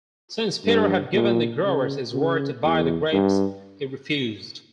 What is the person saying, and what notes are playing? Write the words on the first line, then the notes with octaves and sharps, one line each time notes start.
Since Peter had given the growers his word to buy the grapes, he refused.
G2
A#2
C#3
C#3
E2
G2